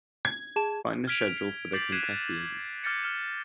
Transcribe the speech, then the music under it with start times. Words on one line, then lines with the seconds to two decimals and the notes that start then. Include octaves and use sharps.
Find the schedule for The Kentuckians.
0.25 G#6
0.56 G#4 A5 E7
1.08 F6 G#6 B6 D7 F7
1.73 D6 G6 A6 B6 C7 F#7
1.92 F#6 G#6 B6 C7 D#7 E7
2.84 D6 F6 G6 A6 A#6 C#7
3.03 F6 E7